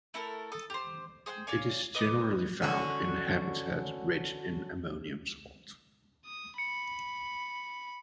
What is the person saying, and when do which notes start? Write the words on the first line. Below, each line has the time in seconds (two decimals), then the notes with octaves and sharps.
It is generally found in habitat rich in ammonium salt.
0.14 A3 E4 A4 A#4
0.52 A4 D#6
0.70 G4 C5
1.26 G#4 C5 F#5 G5
1.47 C#5 D5 F5 G#5
1.95 B4 D#5 D6 D#6
2.62 D3 C#4 F#4
6.25 D#6
6.58 B5 C#7